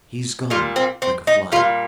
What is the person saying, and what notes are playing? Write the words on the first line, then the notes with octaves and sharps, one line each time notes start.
He is gone, like a fly.
A#2 G3 F4
C4
C4
D#4
A#2 G3 F4